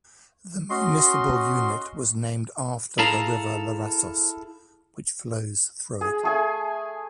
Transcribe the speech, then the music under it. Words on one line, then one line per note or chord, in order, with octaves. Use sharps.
The municipal unit was named after the river Larissos, which flows through it.
C#4 F#4 D#5 C6
E4 G#4 A4 F5 A5 A#5
G#4
A3 G#4 G#5